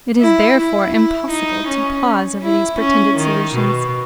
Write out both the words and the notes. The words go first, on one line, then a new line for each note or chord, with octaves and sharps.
It is therefore impossible to pause over these pretended solutions.
E4
E4
E4
D#4
C#4
E4
C#4
D#3
B2